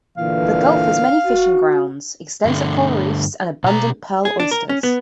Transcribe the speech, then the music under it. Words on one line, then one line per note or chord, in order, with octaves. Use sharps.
The gulf has many fishing grounds, extensive coral reefs, and abundant pearl oysters.
A#2 D3 E3 F5
F#4
G2 D3 A3
B2 A#5
G#4
D4
A#4
C#4
B3